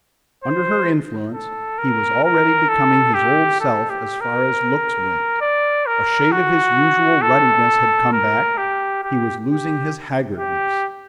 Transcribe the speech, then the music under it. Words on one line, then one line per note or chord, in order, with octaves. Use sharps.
Under her influence he was already becoming his old self as far as looks went. A shade of his usual ruddiness had come back; he was losing his haggardness.
C5
A4
A#4
A#4
A4
G4
A4
G4
A#4
D5
A#4
F#4
A4
A#4
G4
G4
G4
G4